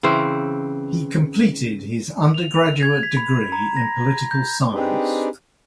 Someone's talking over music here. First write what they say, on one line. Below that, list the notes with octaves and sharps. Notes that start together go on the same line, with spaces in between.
He completed his undergraduate degree in political science.
C#3 E3 C4 C5
F7
F7
G#6
B6
B5
A#5
A#6
G6
C4 D4 D#4 G4 G#4 B4